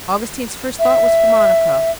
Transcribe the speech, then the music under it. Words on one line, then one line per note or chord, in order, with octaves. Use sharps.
Augustine's first thought was for Monica.
E5